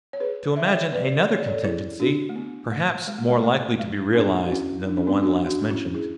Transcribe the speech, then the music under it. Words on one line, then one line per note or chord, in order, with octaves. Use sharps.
To imagine another contingency, perhaps more likely to be realised than the one last mentioned.
C#5
G#4 B4
E5
F#5
C#5 E5
B4 D5
C#5
D5
A4 C#5
E4 G#4
D4 F#4
A3
B3
A3
G#3
A3
G#3
A3
A3
G#3
B3 D4
F#4
C#4 E4
D4
C#4
B3 D4
D4 F#4
D4 F#4
C#4 E4
E4 G#4